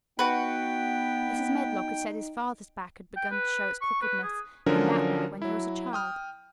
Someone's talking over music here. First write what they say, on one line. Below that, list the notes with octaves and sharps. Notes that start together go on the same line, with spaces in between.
Mrs. Medlock had said his father's back had begun to show its crookedness in that way when he was a child.
B3 D#4 F#4 B4 G5
G5
B4
C#6
B4
G#4
D3 F3 F#3 C#4 D4 A#4
F#3 E4
G5 D#6 F6